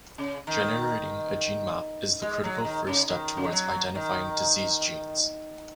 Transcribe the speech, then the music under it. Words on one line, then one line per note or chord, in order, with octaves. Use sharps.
Generating a gene map is the critical first step towards identifying disease genes.
C#3
D#3
G#3
F#3
D#3
C#3
D#3
C#3
D#3
F#3
D#3